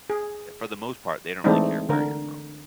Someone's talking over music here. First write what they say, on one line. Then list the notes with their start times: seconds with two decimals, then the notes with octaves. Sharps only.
for the most part, they don't really care where you're from.
0.10 G#4
1.44 E3 G#3 A3 C4 D4 D#4
1.89 D3 A#4